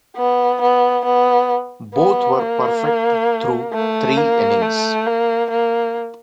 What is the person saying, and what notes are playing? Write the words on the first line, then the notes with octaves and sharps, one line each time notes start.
Both were perfect through three innings.
B3
B3
B3
B3
A#3
A3
A#3
A3
A#3
A#3